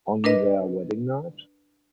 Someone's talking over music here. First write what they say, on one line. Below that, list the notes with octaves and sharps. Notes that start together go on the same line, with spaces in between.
On their wedding night?
D4 A#4 B4 D#5